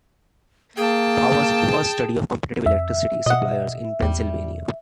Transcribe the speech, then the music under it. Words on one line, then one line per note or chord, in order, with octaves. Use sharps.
Power's first study of competitive electricity suppliers in Pennsylvania.
A#3 G#4 G5 A5
F2 E5
B2 D#5 F#5
E2 G3